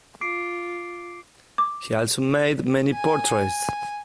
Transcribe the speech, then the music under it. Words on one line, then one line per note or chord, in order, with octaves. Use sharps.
He also made many portraits.
F4 D6 C7 D7
D6
G#5